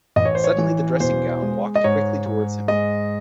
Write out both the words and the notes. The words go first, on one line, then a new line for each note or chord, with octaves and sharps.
Suddenly the dressing-gown walked quickly towards him.
A1 D#5
C#5
C5
C#5
E3
E1 C5
G#3
D#5
G#2 C#5
G#2
G#3 D#5